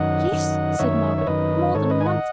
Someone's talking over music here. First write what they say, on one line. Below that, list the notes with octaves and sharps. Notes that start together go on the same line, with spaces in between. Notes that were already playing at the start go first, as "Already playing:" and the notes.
'Yes,' said Margaret, 'more than once.
Already playing: F#2 D#3 D#5 F#5
F#2 D#3
F#2 D#3 C#5 E5
C#5
F#2 D#3 B4 D#5
G#2 D#3 A4 C#5
B4 D#5
G#5
D#5 F#5